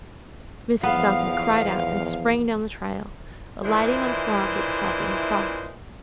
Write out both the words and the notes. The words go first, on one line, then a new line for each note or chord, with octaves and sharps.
Mrs. Duncan cried out and sprang down the trail, alighting on a frog that was hopping across.
E2 F3 B3 F5
A#2 E3 D4 E4 C5 D#5